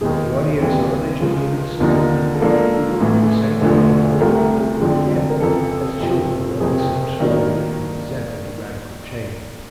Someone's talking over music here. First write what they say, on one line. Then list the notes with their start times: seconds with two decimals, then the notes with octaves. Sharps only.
The audience are uneducated, simple people who look for the same thing over and over again, as children love the same story and resent any radical change.
0.01 E1 D#2 D#3 G#4
0.60 D#2 C#3 E3 G3 C4
1.20 C#2 C#3 F3
1.80 D#2 D3 F3 A#3 D#4
2.40 G#2 F3 A#3 D4 A4
3.00 A1 A2 E3
3.61 E1 D2 D3 F3 A3
4.20 C2 C3 F3 A3 A#4
4.80 F2 D3 F3 G#3 C4
5.30 A#4
5.40 F2 C#3 E3 A4
6.00 F#1 F2 C3 F3
6.60 F#1 F2 C3 G#4
7.20 D#3 F#3 A#3 D4